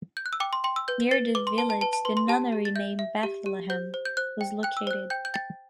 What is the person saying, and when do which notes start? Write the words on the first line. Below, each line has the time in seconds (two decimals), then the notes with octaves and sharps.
Near the village the nunnery named Bethlehem was located.
0.17 G6
0.26 F#6
0.33 E6
0.40 G5 D6
0.53 C6
0.64 G5 C6
0.76 E6
0.88 B4 G6
1.11 B4 A6
1.35 B4 D6
1.47 C6
1.58 B4 A5
1.70 A5
1.81 B4 A5
1.93 A5
2.05 B4 C6
2.17 C6
2.28 G4 A5
2.52 G4
2.65 A6
2.76 E5 G6
2.99 E5
3.23 G4
3.46 G4
3.70 C5 G6
3.94 C5
4.05 G6
4.17 C5 F#6
4.41 G5
4.63 G5 F#6
4.77 E6
4.87 C5 F#6
5.10 G5 G6
5.25 G6
5.34 G5 A6